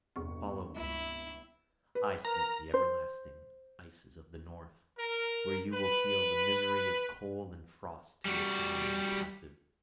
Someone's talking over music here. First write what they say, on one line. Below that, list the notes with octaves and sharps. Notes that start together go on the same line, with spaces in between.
Follow me; I seek the everlasting ices of the north, where you will feel the misery of cold and frost, to which I am impassive.
G1 E2 C3 C#6
C#2 E4
B4
A#4 A#5
C5
A#4
B4
G3 F#4